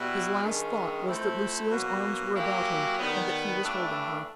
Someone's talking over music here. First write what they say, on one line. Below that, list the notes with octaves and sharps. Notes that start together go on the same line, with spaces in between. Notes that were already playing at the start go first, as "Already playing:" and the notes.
His last thought was that Lucille's arms were about him, and that he was holding her.
Already playing: B2 G3 B3 E4
G2 D#3 G#3 C#4
F3 A3 C4 E4
B2 F#3 A#3
F#3 A#3 C#4 E4 G4
D#3 G3 B3
G2 E3 A3 D4